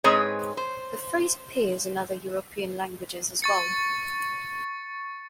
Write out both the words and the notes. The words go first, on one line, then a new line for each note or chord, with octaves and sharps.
The phrase appears in other European languages as well.
G#2 G#3 C4 G#4 B4 C#5
C5
C#6 A6 C#7